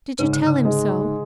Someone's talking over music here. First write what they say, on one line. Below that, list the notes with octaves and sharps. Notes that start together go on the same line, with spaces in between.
"Did you tell him so?"
G#2 C#3
D3
C#3
G#3